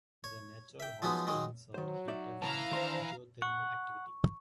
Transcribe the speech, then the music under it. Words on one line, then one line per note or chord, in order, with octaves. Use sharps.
The natural hot springs are heated from geothermal activity.
C#5
E5 G5
F3 F#3 G#3 B3 D#4
D#3 F#3 G#3
D#3 F#3 C5
D#4 D5 E5
C#3 E3 G#3 E4 F5 A5 A#5
D#3 D4 C5 C6
F#5 C#6